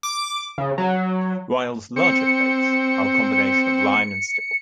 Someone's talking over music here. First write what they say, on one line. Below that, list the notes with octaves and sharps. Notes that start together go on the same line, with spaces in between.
Ryall's larger plates are a combination of line and stipple.
D6
C#3
F#3
C4 C#7